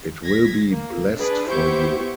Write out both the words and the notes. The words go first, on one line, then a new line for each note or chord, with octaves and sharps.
It will be blessed for you.
G#6 A#6 B6
A#3
D4 G#4 B4
B3 E4 G4 C5 C#6 G6